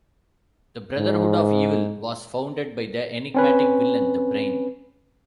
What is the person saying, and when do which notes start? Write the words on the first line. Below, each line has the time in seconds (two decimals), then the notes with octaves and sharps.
The Brotherhood of Evil was founded by the enigmatic villain the Brain.
0.98 G#2
3.34 C4 C#4 B4